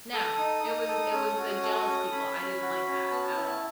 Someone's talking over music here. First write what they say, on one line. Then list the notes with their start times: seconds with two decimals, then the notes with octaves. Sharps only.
No, it was it was the jealous people I didn't like that at all.
0.13 A4 D#6
0.39 D#4
0.64 D#4
0.88 A4
1.12 C#4
1.38 F#4
1.63 A4
1.87 C#4
2.12 C#4 B5
2.38 C#4
2.62 F#4
2.87 C#4
3.11 B3 A5
3.37 E4